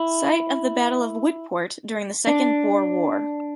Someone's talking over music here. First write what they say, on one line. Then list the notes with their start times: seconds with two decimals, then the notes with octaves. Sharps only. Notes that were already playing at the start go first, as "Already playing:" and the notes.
Site of the Battle of Witpoort during the Second Boer War.
Already playing: E4
2.27 D4